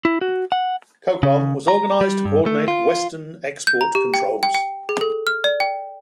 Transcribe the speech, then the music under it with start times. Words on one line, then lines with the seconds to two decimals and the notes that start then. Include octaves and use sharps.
CoCom was organized to coordinate Western export controls.
0.05 E4
0.21 F#4
0.52 F#5
1.23 C#3
1.68 A#5
2.01 G3
2.25 G2
2.46 A3
2.68 F4
3.67 G6
3.81 A#5
3.95 G4
4.14 G5
4.43 G5
4.54 G5
4.89 G#4
5.01 A4
5.27 F6
5.44 D5
5.60 G5